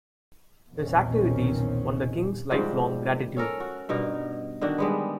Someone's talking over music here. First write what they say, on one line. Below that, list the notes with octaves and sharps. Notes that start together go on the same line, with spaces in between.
His activities won the king's lifelong gratitude.
B1 E2 A#2 D#3 C4 C#4
G#2 F3 G3 F#4
C#4 A4 A#4
F#4
G2 B2 D#4 A#4
D3 D#3 D4 F#4
G3 G#3 B3